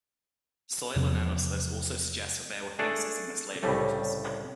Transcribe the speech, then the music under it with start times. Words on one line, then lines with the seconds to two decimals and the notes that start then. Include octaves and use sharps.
Soil analysis also suggests that there were fences in the slave quarters.
0.96 E2 C3 F3
2.79 A3 D4 G#4 A4 D5
3.63 C2 A2 C#3 G3 A3